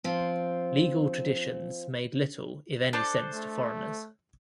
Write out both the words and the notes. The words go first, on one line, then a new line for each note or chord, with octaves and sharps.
Legal traditions made little if any sense to foreigners.
F3 C4
D4 A4 C5
A3